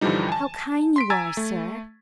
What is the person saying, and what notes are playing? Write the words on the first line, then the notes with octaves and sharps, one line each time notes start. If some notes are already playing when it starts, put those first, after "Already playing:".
"How kind you are, sir!"
G2 D3 E3 F3 G3 D#4
G#5 A5
C6 B6 D7
G#5 A#5 E6 G#6 A6
A3